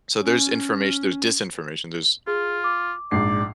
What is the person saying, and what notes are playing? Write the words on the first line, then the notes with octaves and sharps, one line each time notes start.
so there's information, there's disinformation, there's
C#4
F4 G#4
D6
A#1 G#2 D5 C7